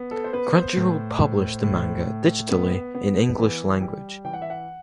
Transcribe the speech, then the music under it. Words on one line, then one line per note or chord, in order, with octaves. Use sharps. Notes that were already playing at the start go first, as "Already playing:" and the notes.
Crunchyroll published the manga digitally in English language.
Already playing: B3
A4
C5
B3 B4
C5
A2
A2
A2
A2
B3
B3
E3
G3
E3 G5
F#5
E5
F#5